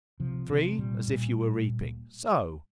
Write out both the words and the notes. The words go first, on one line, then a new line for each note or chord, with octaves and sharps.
Three, as if you were reaping--so.
C3 F3
C3
A#2 G3
A#2